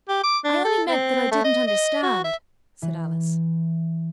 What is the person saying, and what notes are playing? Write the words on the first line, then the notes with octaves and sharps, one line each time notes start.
'I only meant that I didn't understand,' said Alice.
G4
D6
D4
A4
C4
A3
D#5
D#5
F#4
E5
E3